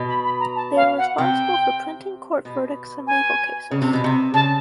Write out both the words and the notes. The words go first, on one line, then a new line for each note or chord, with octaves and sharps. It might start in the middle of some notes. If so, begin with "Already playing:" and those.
They are responsible for printing court verdicts and legal cases.
Already playing: B2
B5
B5
A#5
A5
F5
F#5
C3 G5
B2
G#5
C#3
C3
B2
C3
C#3 A5